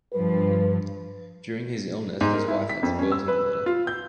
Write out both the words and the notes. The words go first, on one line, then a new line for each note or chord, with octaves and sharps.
During his illness his wife had spoilt him a little.
G2 F3 B4
G#2
A#4
E4
B6
F2
C#4
E6
B4
F4
G6